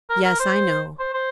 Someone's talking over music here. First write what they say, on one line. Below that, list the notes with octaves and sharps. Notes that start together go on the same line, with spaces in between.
"Yes; I know."
A#4
A#4
C5
C5
C5